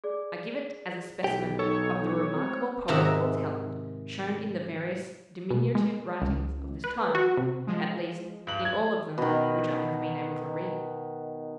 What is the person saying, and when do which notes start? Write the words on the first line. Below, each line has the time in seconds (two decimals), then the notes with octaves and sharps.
I give it as a specimen of the remarkable poetical talent shown in the various diminutive writings of this time; at least, in all of them which I have been able to read.
0.04 G#4 D5
1.24 B1 G4 G5
1.59 D#4 A4 C#5
2.33 C4
2.88 G#2 C3 D#3 F#4 A#4 E5
5.50 B2
5.75 G#3
6.22 C#2
6.84 B4
7.15 F#4
7.37 C3
7.67 F3 G#3
8.47 G2 F#7
8.65 G#6
9.18 B2 D#3